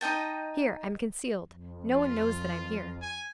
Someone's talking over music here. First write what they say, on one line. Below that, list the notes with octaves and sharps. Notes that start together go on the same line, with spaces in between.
Here I'm concealed, no one knows that I'm here.
D#4 D#5 G5 A5
F2
F4
G#5